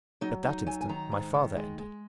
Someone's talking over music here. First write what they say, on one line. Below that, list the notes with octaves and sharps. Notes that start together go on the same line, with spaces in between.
At that instant my father entered.
F#3 D#4
D#4
F#3 G#5
G#5
D#3 A#5
G#2
D#3
G#3
G#3